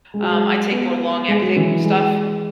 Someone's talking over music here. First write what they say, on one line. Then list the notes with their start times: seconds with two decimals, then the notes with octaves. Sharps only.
um, I take more long-acting stuff,
0.14 G#3
0.23 F#3
0.31 G#3
0.71 B3
1.28 G#3
1.42 F#3
1.56 E3
1.84 G#3